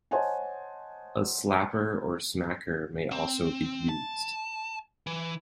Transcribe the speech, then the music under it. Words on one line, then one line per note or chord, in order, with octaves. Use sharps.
A slapper or smacker may also be used.
C5 C#5 D#5 F#5 G#5 A5
C4
A5
E3